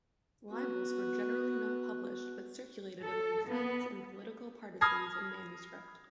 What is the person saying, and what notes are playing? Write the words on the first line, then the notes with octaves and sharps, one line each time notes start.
Libels were generally not published but circulated among friends and political partisans in manuscript.
B3 F#4
A4
B3
B5 D#6 F6 G#6 A#6 C7